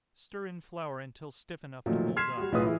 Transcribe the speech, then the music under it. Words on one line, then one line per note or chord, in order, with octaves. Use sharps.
Stir in flour until stiff enough to mould up.
A#2 D#3 F3 F#3 A3
C6 F6 G#6 B6 C7 E7
G3 F#4
B1 A2 F4 G#4 B4 D#6
E3 E4 G#4